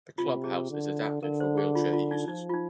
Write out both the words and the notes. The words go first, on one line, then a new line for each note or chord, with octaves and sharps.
The clubhouse is adapted for wheelchair users.
C3 F4
G#4
D3
D3 A#4
C5
G#4
F4
F4
D#4
F3 D#4
F4
D#4